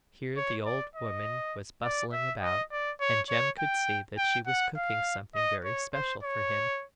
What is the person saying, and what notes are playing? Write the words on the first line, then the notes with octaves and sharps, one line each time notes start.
Here the old woman was bustling about, and Jem could see that she was cooking something very special for him.
C#5
D5
D#5
D5
E5
D#5
D5
C#5
C#5
G5
G5
F#5
F5
D#5
C#5
C5
C#5